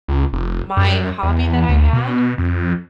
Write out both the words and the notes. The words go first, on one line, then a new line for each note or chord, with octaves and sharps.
my hobby that I had,
C#2
F1
F#2
E2
D2
B2
F2